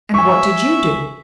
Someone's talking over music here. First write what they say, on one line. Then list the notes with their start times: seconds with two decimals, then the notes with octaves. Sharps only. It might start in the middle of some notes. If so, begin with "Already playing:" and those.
'And what did you do?'
0.14 E5 G#5 C#6